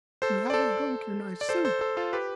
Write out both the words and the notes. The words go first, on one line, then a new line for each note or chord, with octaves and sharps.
"You haven't drunk your nice soup."
A4 C5
D5
A4 C5
D5
A4 C5
A4 C5
A4 C5
F4 A4
G4 B4